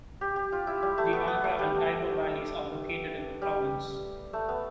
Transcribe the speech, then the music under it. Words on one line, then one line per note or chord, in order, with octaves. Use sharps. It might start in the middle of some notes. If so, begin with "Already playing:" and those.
The Umbra and Tiber Valleys are located in the province.
G4
G4
F4
E4
G3
A3
B3
B3
A3
G3
G3
A3
B3